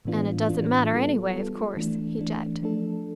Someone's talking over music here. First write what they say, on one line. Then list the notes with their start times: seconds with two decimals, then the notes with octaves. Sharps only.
"And it doesn't matter, anyway, of course," he gibed.
0.05 A2 E3 B3 D4 F4
0.49 A2 E3 B3 D4 F4
0.92 G3 B3 F4 A4
1.34 G3 B3 F4 A4
1.77 E3 A3 D4
2.19 E3 A3 D4
2.62 F3 A3 D4 A4